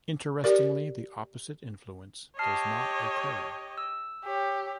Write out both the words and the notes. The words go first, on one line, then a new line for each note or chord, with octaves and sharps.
Interestingly the opposite influence does not occur.
G4 A#4 D5
G4 C#5 D#5 A5 F6 C7
E6
G4 C#5